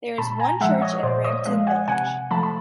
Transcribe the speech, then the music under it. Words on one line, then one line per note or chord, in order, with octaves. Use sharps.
There is one church in Rampton village.
A#2 A5 B5
G#5 A#5
F3 G#3 E5 F#5
C#5 D#5
A#2 C5 D5
C#5 D#5
F3 G#3 D#5 F5
F#5 G#5
C3 F#5 G#5
F3 A3 A5 B5
B5